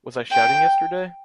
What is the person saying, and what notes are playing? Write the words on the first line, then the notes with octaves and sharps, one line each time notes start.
Was I shouting yesterday?
G5